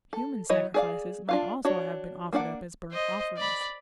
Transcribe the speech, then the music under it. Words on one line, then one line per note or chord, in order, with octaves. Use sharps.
Human sacrifices might also have been offered up as burnt offerings.
A4
F#3 E4 C#5 D#5
G#4 D5 F5
D4 F4 F5
D4 F#4 C#5
A#3 D4 D5 F#5
C5 D#5
D5 B5